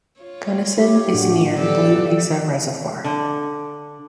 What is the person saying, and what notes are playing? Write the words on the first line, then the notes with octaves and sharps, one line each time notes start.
Gunnison is near Blue Mesa Reservoir.
F4 C#5
E4 G4
A2 D4 E4 F#4
D3 F#3 B3 G4 A4 D5
D3